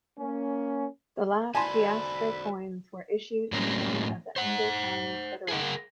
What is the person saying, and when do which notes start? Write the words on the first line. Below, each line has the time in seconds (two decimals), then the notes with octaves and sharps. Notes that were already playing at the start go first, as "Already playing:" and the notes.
The last piastre coins were issued in the name of the "Indochinese Federation".
0.17 A#3 C#4
1.55 F#4 C5 D5 G#5 A5 B5 C6
3.52 A2 F#3 A#3 C4 C#4
4.36 C5 F#5
5.48 G#4 A#4 F#5